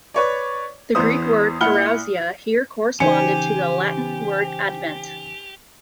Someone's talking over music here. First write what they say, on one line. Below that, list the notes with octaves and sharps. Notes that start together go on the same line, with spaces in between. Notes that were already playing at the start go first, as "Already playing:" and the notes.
The Greek word parousia here corresponded to the Latin word advent.
B4 C#5 D5
E2 E3 B3 C5 D#6
A#2 E4 F#5 B5 F6 G7
C#3 E3 C#4 D#4 G4 C5 G#5 C#7